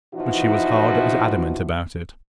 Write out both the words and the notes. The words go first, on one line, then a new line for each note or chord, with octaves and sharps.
But she was hard as adamant about it.
B2 E3 F3 D#4 E4 F#4